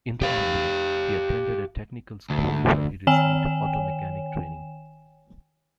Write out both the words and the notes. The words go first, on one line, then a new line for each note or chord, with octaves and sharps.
In the Army, he attended a technical school where he received auto mechanic training.
G4 F5
D2
D#3 C#5 G5 G#5 E7